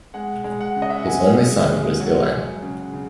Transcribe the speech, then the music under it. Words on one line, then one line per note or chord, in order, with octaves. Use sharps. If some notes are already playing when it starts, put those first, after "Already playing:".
His only son was Illann.
G#3 F#5
G#3
F#5
C#3
D#5
E5
F#5
C#3 G#5
G#3
G#3
F#3 F#5
F#3
C#3
C#3